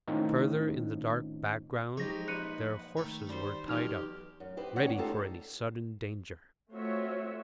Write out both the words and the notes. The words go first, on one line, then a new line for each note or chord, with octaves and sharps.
Further in the dark background, their horses were tied up, ready for any sudden danger.
A2 D#3 C4 C#4 D#4 F4
F3 G#3 D#4 G4 G#4 C#5 A#6
A#1 B4 F#6 C#7 D#7
D#3 A3 A4 C#5
G3 C5
B1 E2 D#4 G4 F6 F7
F#2
G4 B4 C5 D#5
D2 D#3 C#4 C#5 F#5
C#4 D#4 F4 G4 A4 C5
A3 C4 F4 F#4 C#5 E5